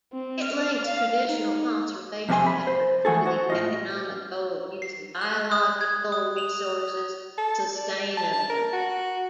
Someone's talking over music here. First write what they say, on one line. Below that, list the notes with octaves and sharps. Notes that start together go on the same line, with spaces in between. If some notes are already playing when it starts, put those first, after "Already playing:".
It links traditional conservation efforts to the economic goal of using biological resources sustainably.
C4
F6
F5
D#4
F2 C3 C#4 G4 G#5 C6
B5
C5
E3 A3 F#4 G#4 A4
F#4 C5
A2 F4 D#5
C7
F#6
D#6
G#6
D#6
F7
A4
D5
A5
A5
A#4
F#4